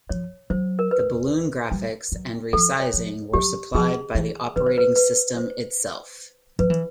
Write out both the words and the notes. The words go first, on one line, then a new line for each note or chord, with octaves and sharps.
The balloon graphics and resizing were supplied by the operating system itself.
F3 C#5
F#3 C5
A#4
B4
G3
F#3
F3 A4
C#5
F3
F#3 G4
F3 G#4
E3
D#3 B4
C5
B4
B4
C5
F3 B4
E3